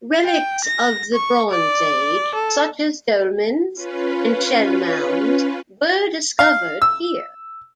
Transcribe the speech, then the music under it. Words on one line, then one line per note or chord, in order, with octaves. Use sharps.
Relics of the Bronze Age, such as dolmens and shell mounds, were discovered here.
G5
A#6
C#6
D5
A4
C#4 F4 B4
F5
E6